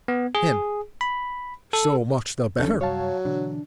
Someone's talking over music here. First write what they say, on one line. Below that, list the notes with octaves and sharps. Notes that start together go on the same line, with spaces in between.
HIM: So much the better.
B3
G#4
B5
A4
D#2 F3 C#4 D4 A4
F#2 C3 F#3 G3 C#5 F5 A5
B2 D3 E3 D4